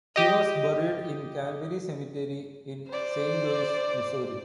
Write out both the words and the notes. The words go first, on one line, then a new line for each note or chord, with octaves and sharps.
He was buried in Calvary Cemetery in Saint Louis, Missouri.
G4 D#5
C5 D5